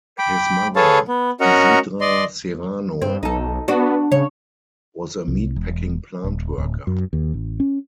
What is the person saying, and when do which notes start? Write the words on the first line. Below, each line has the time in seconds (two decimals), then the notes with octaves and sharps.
His mother Isidra Serrano was a meatpacking plant worker.
0.18 G5 B5 D6
0.76 G#4 A4 B4 C#5 F5 A5
1.08 B3
1.40 C#4 F#4 A#4 D#5 F#5 A#5
2.01 D5 D#5 C6
3.02 G2 C4
3.23 B1 D#4 A4
3.68 B3 D4 F#4
4.12 C#3 C#5
5.28 C2
5.56 E1
6.24 D#1
6.58 D1
6.87 F#2
7.13 D#2
7.34 A1
7.60 C#4